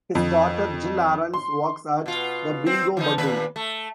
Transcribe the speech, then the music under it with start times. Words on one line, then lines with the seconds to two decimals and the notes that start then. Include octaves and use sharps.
His daughter, Jill Arons, works at "The Bingo Bugle".
0.15 F2
1.34 C6
2.06 B2 F4
2.66 C4
2.97 E3 F3 D#4
3.18 D#2 A#2 B4
3.56 A3